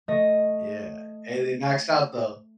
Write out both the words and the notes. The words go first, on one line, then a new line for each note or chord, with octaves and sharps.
Yeah, and they maxed out, though.
A3 D#5